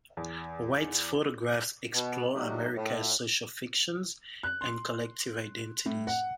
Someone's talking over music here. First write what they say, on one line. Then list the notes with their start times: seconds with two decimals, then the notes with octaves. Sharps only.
White's photographs explore America's social fictions and collective identities.
0.17 E2
1.93 B2
2.34 F#3 A3 D4 D#4 G4
2.75 A2
4.43 F#6
4.61 C6
5.86 A2
6.07 F#5